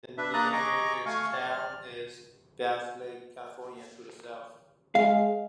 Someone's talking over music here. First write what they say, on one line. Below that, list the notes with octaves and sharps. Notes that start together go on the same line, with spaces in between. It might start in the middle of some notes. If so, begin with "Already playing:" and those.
The nearest town is Bass Lake, California, to the south.
D4 B4 E5
A#3 D4 D5 A#5 D#6 F#6
D#5 G#5 A#5 C#6 D6
A3 F5 G#5 C#6
D5 F6
G#3 F5